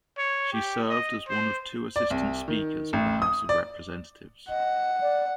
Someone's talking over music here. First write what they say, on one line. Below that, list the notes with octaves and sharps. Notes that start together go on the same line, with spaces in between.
She served as one of two Assistant Speakers of the House of Representatives.
C#5
G4
D#5
C5
D5
C2
D#3
A1
D#6
D5
D#5 F#5
D5